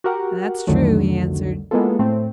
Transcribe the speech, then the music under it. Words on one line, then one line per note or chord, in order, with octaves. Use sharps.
"That's true," he answered.
F#4 G4 A#4 F#5
C2 F2 D3 D#3 F#3 A3
G#3 A#3 B3 E4 F4 A4
A2 A3 C4